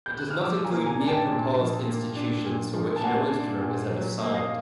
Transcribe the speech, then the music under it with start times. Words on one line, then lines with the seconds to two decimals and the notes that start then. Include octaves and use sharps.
It does not include mere proposed institutions for which no instrument was ever signed.
0.06 G6
0.18 F#6
0.30 F6
0.42 F3 D6 E6
0.65 G#5 A#5
0.71 A#3
0.86 G#5 A#5
1.00 D4
1.08 G5 A5
1.29 A#2
1.58 F3
1.88 A#3
2.16 D4
2.45 A#2
2.74 F3
2.96 A5
3.03 A#3 F#5 G#5
3.32 D4
3.61 A#2
3.90 F#3
4.20 A#3
4.34 D#5 F5